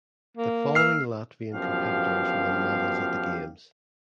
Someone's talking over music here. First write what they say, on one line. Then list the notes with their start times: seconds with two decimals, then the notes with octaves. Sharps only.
The following Latvian competitors won medals at the games.
0.37 A#3
0.75 E6 F6 C7
1.53 G1 F#2 B2 F3 G4 F5